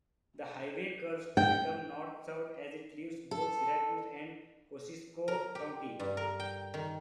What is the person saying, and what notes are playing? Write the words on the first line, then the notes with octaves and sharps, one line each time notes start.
The highway curves to become north-south as it leaves both Syracuse and Kosciusko County.
G5
A4
A#4
G4
G2
A#4
G5
D#3